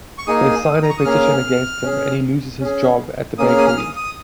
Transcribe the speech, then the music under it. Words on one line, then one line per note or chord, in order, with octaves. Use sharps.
They sign a petition against him and he loses his job at the bakery.
C#6
A#3 D#4 G#4 D#6
A#5
C#6
D#6
A#3 C#4 G#4 F6
C#4 G#4
C#4 G#4
A#3 C#4 G#4 D#6
F6
D#6
F6
D#6
D#6